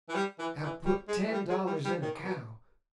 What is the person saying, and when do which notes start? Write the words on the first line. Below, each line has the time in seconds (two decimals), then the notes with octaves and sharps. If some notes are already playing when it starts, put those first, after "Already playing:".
I put ten dollars in a cow.
0.08 E3
0.15 G3
0.38 E3
0.62 E3
0.85 G3
1.08 G#3
1.24 E3
1.32 G3
1.49 G#3
1.67 G3
1.85 G3
2.02 D#3
2.24 B2